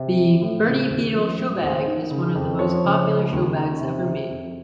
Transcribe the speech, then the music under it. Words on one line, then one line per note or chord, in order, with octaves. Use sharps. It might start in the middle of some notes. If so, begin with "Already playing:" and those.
The 'Bertie Beetle Showbag' is one of the most popular showbags ever made.
Already playing: C3
F3
A2
C#3 C5
D#2
F3
A2
D#2 C5
D#3
C#3
F2
F3 C#5
C#3
C#3
D#2
D#3 A#5
C3
C3
F2